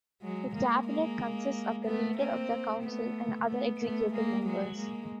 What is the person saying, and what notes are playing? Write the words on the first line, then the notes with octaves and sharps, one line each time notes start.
The Cabinet consists of the Leader of the Council and other Executive Members.
F#3 G#3
G#3 A#3
G#3 A#3
A3 B3
A#3 C4
A3 B3
A3 B3
A3 B3
G#3 A#3
F#3 G#3
G#3 A#3